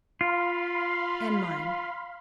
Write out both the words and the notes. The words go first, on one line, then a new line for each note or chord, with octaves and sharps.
"And mine."
F4 F5 B5 C6